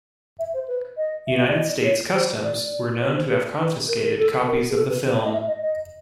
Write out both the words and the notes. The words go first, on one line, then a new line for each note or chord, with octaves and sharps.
United States customs were known to have confiscated copies of the film.
E5
C5
B4
D#5
E5
D5
D#5
C#5
C5
D5
D5
C#5
C5
B4
B4
A#4
A#4
A4
A#4
G#4
A4
B4
C5
C#5
D#5
E5
D#5
D#5